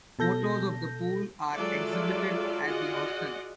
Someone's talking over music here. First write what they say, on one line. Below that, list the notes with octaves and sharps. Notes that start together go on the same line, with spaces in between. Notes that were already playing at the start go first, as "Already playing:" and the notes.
Photos of the pool are exhibited at the hostel.
B2 A4 G6 A#6
F#3 G#3 F4 A4 D5 E5
F4 F#4 G#4 D5 D#5 F#5